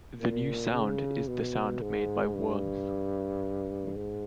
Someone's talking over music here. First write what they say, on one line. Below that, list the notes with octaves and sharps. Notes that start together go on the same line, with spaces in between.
'The new sound is the sound made by worms.
A#2
C#3
B2
G#2
G2
G#2